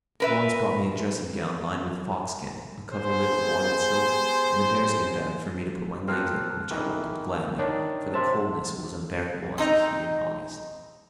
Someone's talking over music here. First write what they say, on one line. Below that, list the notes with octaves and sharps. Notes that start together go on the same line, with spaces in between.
Lawrence brought me a dressing-gown lined with foxskin, a coverlet of wadded silk, and a bear- skin bag for me to put my legs in, which I welcomed gladly, for the coldness was unbearable as the heat in August.
A#4 B4 E5
B3 G4 G#4 C5
F3 A#3 C4 F6 F#6
D#3 E3
D#3 D4 C#5
C3 C5 E5 A5 C6
C4 D#4 D#5 A#5